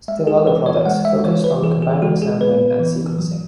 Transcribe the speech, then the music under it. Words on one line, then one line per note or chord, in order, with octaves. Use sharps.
Still other products focused on combining sampling and sequencing.
G#3 E5
G#4
E3 B4
C#5
G#3 F#5
E5
E3 C#5
B4
E3 G#4
G#4
G#3 F#4
G#4
B3 B4
E3
F#3